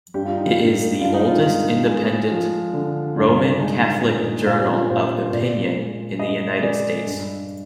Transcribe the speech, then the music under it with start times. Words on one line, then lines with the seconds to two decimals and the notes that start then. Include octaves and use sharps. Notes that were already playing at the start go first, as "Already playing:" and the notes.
It is the oldest independent Roman Catholic journal of opinion in the United States.
0.14 G2 G4
0.25 F4
0.37 D#4
0.48 F4
0.57 G2
1.01 G2 F4
1.14 D#4
1.27 F4
1.44 G#3
1.87 G#3
2.31 F3
2.73 D3
3.17 G2
3.59 G#3 D#4
4.03 A#2
4.46 A#2 F4
4.60 G4
4.74 F4
4.90 A#2 C5
5.33 A#2 D5
5.76 G#3
6.19 G#3 D#5
6.62 G#3 D5
7.06 G2